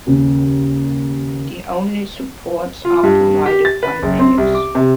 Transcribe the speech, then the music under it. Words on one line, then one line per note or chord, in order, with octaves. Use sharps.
The only supports are provided by piers.
D#2 C#3
F4
G2
G4
A6
B4
F#1
C4
C2
D6
C3